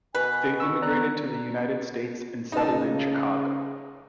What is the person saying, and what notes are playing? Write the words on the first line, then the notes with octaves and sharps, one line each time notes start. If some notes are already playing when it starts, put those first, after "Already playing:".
They immigrated to the United States and settled in Chicago.
B2 B4 G#5
C#6 E6
B3 D5 A#5 F#6
C#3 D#4 A5